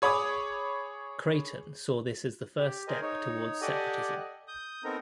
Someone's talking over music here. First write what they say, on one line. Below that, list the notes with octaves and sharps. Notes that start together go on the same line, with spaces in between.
Creighton saw this as the first steps towards separatism.
G#4 C#5 B5 D6 D#6
G4
G#4 A#4 C5 D#5 G#5
D#4 C#5
G4 A4 D5 D#5 F#5 G#5
D#6 G6
B3 C4 D#4 A4 A#4 A#5